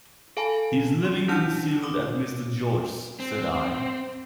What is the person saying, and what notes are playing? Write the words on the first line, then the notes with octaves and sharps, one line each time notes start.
"He is living concealed at Mr. George's," said I.
A4 F5 G#5 A5 B5
C6
C#4 D4 E4 A5 F6 G6
D6 D#6
C4